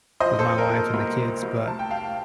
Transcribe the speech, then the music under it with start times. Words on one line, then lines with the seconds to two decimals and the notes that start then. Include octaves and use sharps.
with my wife and the kids. But
0.20 F3 C5 D#5
0.39 A4 C5
0.45 C4
0.58 A#4
0.70 A#2
0.76 A4
0.94 C2
1.19 F3
1.43 C2
1.67 A3 A5
1.79 G5
1.90 A3 F5 A5